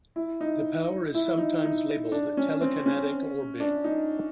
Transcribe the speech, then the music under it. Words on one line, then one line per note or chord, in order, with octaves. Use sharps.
This power is sometimes labeled Telekinetic Orbing.
E4
D#4
E4
D#4
D#4
D4
C#4
C4
C#4
D4
D#4